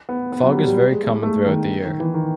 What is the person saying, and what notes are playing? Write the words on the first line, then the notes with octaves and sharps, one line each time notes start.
Fog is very common throughout the year.
B3
B3
F#3
G3
G3
G3
G#3
A3
G#3
A3
D#3
D#3
E3
D#3